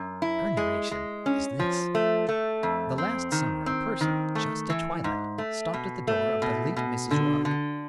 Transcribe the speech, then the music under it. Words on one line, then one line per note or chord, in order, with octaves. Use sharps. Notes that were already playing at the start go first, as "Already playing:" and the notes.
Her narration is this: The last summer a person, just at twilight, stopped at the door of the late Mrs. Rugg.
Already playing: F#2
E4
G#3
G#3
C#4
F3
A3
A3
F2
C4
D#3
C4
D#3
A3
E3
G#2
A3
B2
A3
B2
B2
D3
D3